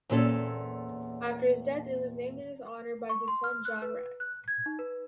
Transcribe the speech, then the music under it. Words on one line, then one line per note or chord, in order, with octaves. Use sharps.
After his death it was named in his honor by his son John Wragg.
E2 A#2 C4 C#4 G4 A4
C#6
C6
F6
F#6
B4
F#6
G#6
D#4
B4